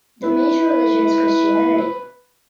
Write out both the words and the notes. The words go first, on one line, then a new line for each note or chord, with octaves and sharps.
The major religion is Christianity.
E4 B4